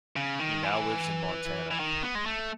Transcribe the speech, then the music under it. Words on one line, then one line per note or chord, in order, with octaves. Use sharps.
He now lives in Montana.
C#3
D#3
E3
E3
D#3
B3
G#3
A3